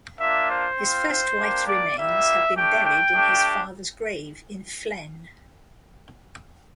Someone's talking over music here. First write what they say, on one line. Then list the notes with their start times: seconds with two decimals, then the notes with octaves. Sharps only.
His first wife's remains have been buried in his father's grave in Flen.
0.19 A#3 D4 F4 E5
0.49 C5
0.78 C4 F4
1.07 C5
1.37 A#3 D4 G4
1.67 D5
1.96 G3 A#3 E4 E5
2.55 A3 D4 G4 G5
2.85 G5
3.13 A3 D4 G4